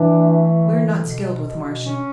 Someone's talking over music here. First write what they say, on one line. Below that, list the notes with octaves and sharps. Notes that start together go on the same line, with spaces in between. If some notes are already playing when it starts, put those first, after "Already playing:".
"We are not skilled with Martian."
Already playing: E3 D4
A3
D3
B2
B2
C#4